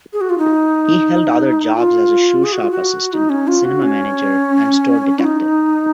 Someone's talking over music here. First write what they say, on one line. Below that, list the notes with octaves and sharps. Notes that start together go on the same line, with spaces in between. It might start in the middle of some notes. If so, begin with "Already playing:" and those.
He held other jobs as a shoe shop assistant, cinema manager and store detective.
G#4
F#4
F4
D#4
F4
G#4
F#4
F4
F#4
D#4
C#4
F4
F#4
C#4
F4
D#4